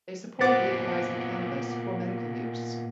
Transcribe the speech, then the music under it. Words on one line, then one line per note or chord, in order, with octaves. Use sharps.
They support legalising cannabis for medical use.
A#2 B3 C5 F#5 D6 A6